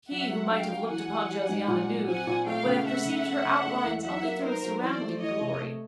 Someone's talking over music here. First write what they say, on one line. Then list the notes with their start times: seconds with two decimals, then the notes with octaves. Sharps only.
He who might have looked upon Josiana nude would have perceived her outlines only through a surrounding glory.
0.11 F#3 E5 F#5
0.31 F#3
0.50 D4 F5 G5
0.70 F#3
0.89 E3 F#5 G#5
1.09 G3
1.29 G3
1.49 G#2
1.68 A#2
1.87 F#3
2.07 C4 F#5 G#5
2.27 A#2
2.46 A3 F5 G5
2.66 C#3
2.86 A3 E5 F#5
3.05 C#3
3.25 A3
3.45 C#3
3.65 A3
3.84 E2
4.03 F#3 E5 F#5
4.23 A#3
4.42 D#4 A#4 C5
4.63 F#3
4.82 E3 C5 D5
5.01 A3
5.21 E3 C#5 D#5
5.41 C3
5.61 A3